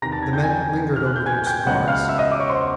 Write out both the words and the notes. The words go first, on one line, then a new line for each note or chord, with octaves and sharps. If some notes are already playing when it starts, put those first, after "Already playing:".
The men lingered over their cigars.
E2 C3 D#3 A#5 A#6
A5 A6
G#6
G5 G6
G#5 G#6
F6
F#6
G6
G#5 G#6
G5 G6
C#2 C#3 F#3 B3 F#5 F#6
F5 F6
E5 E6
D#5 D#6
D6
C#5 C#6
C5 C6